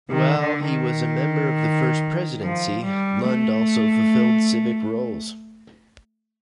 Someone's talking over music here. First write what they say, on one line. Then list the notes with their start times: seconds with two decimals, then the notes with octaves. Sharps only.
While he was a member of the First Presidency, Lund also fulfilled civic roles.
0.10 D#3
0.39 D3
0.68 D#3
2.41 F3
2.84 G3
3.28 A3